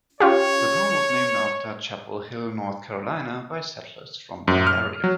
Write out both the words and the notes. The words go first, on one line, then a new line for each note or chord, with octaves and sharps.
The town was named after Chapel Hill, North Carolina by settlers from that area.
C#4 F4 G4 C#5
F#2
F6
F#3